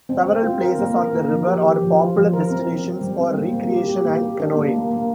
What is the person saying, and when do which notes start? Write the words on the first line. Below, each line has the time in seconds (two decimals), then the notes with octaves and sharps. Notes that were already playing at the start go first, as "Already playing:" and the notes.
Several places on the river are popular destinations for recreation and canoeing.
0.09 C4
0.27 C4
0.43 F4
0.61 A#4
0.79 A#3
0.96 A#4
1.13 A#3
1.30 F3
1.47 G4
1.64 G4
1.81 F3
1.99 F4
2.15 F3
2.33 A#4
2.50 C4
2.68 C4
2.84 C4
3.01 G3
3.19 C4
3.37 A#3
3.53 A#3
3.71 G4
3.88 G4
4.05 A#3
4.22 G4
4.40 D4
4.56 A#3
4.74 A#3
4.91 A#3